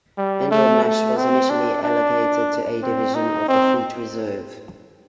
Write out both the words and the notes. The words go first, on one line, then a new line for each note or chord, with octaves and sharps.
"Andromache" was initially allocated to A Division of the Fleet Reserve.
G3
A3
A3
C4
D4
D4
C4
D#4
C4